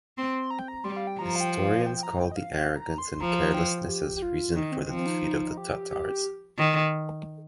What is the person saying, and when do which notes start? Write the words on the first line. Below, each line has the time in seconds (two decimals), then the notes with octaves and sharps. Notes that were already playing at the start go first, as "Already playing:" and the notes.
Historians call the arrogance and carelessness as reason for the defeat of the Tatars.
0.17 C4 C6
0.51 A#5
0.59 G5
0.68 A#5
0.84 G3 C6
0.97 F5
1.07 G5
1.18 F3 A#5
1.36 F5
1.40 G5
1.63 F5
1.86 G5
2.03 A#5
2.19 G5
2.32 D#5
2.36 F5
2.53 F5
2.76 A#5
2.98 C6
3.21 F3 A#5
3.54 G5
3.89 G4
4.16 G4
4.22 F4
4.56 D#3 D#4
4.72 C4
4.89 F3 C4
4.99 C4
5.07 D#4
5.24 D#4
5.57 G4
5.91 G4
6.58 D#3